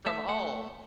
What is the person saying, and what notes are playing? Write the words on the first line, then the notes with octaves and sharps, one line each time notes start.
from home
A3 E5
A3 F#5